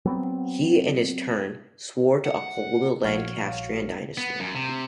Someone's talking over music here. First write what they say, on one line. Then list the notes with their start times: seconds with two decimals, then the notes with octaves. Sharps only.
He in his turn "swore to uphold the Lancastrian dynasty".
0.05 F#3 B3 C4
2.25 F#5
3.04 A#1 F#4 C#5 F5
4.18 B3
4.40 F#2
4.55 C3